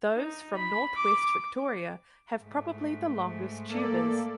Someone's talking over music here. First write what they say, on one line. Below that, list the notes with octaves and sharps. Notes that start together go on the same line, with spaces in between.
Those from northwest Victoria have probably the longest tubers.
D#4
B5
D6
G#2 A3
A#3 A4 D5